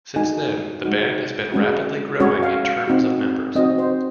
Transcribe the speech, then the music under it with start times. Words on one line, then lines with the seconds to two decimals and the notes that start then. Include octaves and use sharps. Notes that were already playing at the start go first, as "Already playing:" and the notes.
Since then, the band has been rapidly growing in terms of members.
0.16 G#3 D#4 F#4 G#5
0.84 G#3 D#4 F#4
1.52 G#3 C#4 F#4
2.20 G#3 C#4 F#4 C#5
2.43 F5
2.65 F5
2.88 C4 D#4 F#4
3.55 C4 D#4 F#4 D#5
3.78 C5